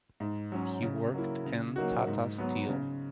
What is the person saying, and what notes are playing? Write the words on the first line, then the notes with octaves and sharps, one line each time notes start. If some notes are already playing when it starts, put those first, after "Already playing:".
He worked in Tata Steel.
G#2
F#3 C#4
C#3
F#3 A#3 E4
C#3
F#3 A#3 D#4 F#4
G#2
F#3 B3
C#3